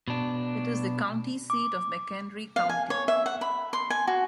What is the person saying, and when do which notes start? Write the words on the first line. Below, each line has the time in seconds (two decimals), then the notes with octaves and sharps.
It is the county seat of McHenry County.
0.08 B2 D4
1.50 D6
2.56 F5
2.69 G#5
2.90 C#5
3.08 E5
3.26 F#5
3.41 B5
3.73 C6
3.90 G#5
4.07 F#4